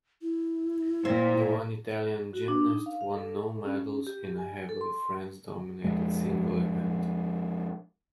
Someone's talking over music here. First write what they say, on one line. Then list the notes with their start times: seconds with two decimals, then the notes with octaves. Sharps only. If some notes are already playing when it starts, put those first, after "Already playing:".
The one Italian gymnast won no medals in a heavily France-dominated single event.
0.22 E4
1.05 A#2 C4
2.33 F#4
2.48 D4
2.68 D#4
2.86 F5
3.01 F5
3.14 A4
3.66 C#4
4.07 G4
4.38 G#5
4.69 A4
4.81 C6
5.84 F2 F3 G#3